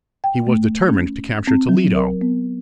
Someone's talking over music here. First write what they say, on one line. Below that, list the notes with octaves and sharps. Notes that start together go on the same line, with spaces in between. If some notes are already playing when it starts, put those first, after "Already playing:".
He was determined to capture Toledo.
G5
A3
C#4
C4
F#3
A#4
B3